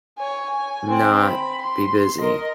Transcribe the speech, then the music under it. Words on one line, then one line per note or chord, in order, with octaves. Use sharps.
not be busy,
C#5 G#5
G#5
C4
B5
C6
A#4 D#5